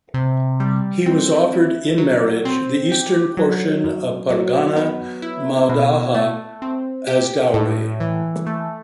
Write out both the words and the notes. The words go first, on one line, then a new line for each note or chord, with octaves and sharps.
He was offered, in marriage, the eastern portion of pargana Maudaha as dowry.
C3
G3
C4
E4
F#3
C4
G4
F#3
F#2
F#3
B3
E4
B2
A3
C4
G4
A2
E3
A3